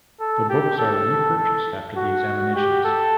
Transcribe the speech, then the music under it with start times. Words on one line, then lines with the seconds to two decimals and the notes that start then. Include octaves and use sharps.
The books are repurchased after the examinations.
0.20 A4
0.49 G4
0.79 A4
1.38 A4
1.97 F#4
2.55 G4
2.85 A4